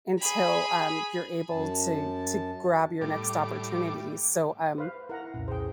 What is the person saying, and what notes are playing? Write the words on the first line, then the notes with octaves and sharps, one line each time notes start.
until, um, you're able to to grab your next opportunity. So, um,
G#4 B5
F#2 A5
A2 G3 D6
B4 C5 F5
E4 A#4 F#5 A#5
C2 F2 A#2 C#4
D3 G#4 C5 G5